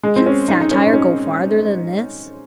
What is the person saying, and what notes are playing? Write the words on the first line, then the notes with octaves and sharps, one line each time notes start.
Can satire go farther than this?
G#3
C4
C#4
D#4
D#4
C#4
D#4
C#4